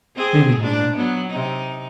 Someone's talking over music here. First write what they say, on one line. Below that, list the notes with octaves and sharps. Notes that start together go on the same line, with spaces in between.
mainly humor.
C4 G#4
G#2 D4
F#3 B3
C3 D#4